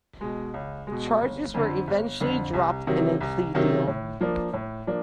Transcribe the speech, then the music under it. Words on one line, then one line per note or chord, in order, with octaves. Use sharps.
Charges were eventually dropped in a plea deal.
B2 G#3
C#2
B2 G#3
G1
F2 D3
G1
F2 D3
C2
C3 D#3 F#3
C2
C3 D#3 F#3
A2
F3 A#3 D4
A2
F3 A#3 D4